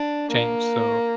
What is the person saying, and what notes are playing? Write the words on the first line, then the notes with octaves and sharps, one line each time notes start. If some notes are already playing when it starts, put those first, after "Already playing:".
change, so,
Already playing: D4
A#3